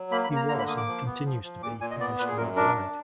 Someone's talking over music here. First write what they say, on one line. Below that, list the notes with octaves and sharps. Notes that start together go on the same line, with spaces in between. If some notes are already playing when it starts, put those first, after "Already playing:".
He was and continues to be published worldwide.
Already playing: F#3
A#3 B5
B5
A#3
A#5
D3 A#5
B5
A#3 D#6
D6
F3
B3
F3
F3
A#2 D6
A#2 G#5
D#5
B3 D5
A#2 B4
G#4
F#2 A#4
D4 A#4
F#2